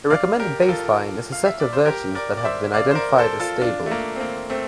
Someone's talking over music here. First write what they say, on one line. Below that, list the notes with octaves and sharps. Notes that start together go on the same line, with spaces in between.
A recommended baseline is a set of versions that have been identified as stable.
D5 F5
G4 A#4
A#4
F4 A4
F5
E5
D5
C5
G4 A#4
A#4 D5
D5
C5 E5
D5 F5
C5
A#4 D5
A4 C5
F4 A4
D4 F4
A3
A#3
C4
A#3
A3 C4